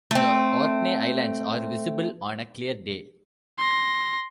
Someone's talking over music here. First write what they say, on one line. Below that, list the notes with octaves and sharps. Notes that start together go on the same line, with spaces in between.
The Orkney Islands are visible on a clear day.
A3 C4
C6 A#6